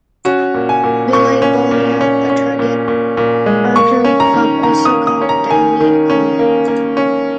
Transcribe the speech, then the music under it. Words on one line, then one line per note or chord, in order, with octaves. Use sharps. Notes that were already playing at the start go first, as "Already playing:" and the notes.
Ville Bowmen a target archery club also call Denmead home.
C#4 F#4
A#2
G#5
A#2
A#2 C#6
C#4
A#2
C#4
C#4
A#2
A#2
A#2
G#3
A#3 C#6
C#4
A#5
D#3
D#3 A#5
D#6
A#3
D#6
C#4
A#5
D#3 G#5
D#3
C#4
A#3
A#3
C#4